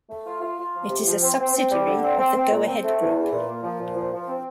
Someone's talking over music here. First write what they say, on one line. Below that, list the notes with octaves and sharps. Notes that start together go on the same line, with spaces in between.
It is a subsidiary of the Go-Ahead Group.
A3
F4
F4
F4
F3
C3
F3
C4
C4
C4
G3
D3
C4
C4
C4
A#2
C4
A3
E2
E3
A#2
A#3
F3
A#2
F3
F3
C4